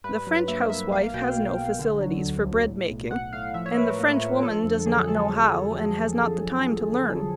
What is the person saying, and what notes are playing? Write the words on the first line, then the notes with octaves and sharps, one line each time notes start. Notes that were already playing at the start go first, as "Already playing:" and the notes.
The French housewife has no facilities for bread-making and the French woman does not know how and has not the time to learn.
G2 B4
F#3
A#3 E5
A#3 E5
B1 F5
B2 G5
B1
B1
D3
F#3
D2
D2
A2
B1
B1 F#5
A2 F5
F3 E5
C#5
F3 B4
A#4
A#3 A#4
F3
D3 A4
F2
F#3 G#4
A4